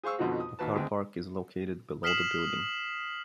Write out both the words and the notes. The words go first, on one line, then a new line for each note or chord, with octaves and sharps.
A car park is located below the building.
G#4 C5 F5 C#6 E6
F2 B2 D3 D#4 F#4
D#6
D#2 F#4 B4 A5
G#1 D2 G#3 C4 G5
D#6 F6 B6 C7 E7 F#7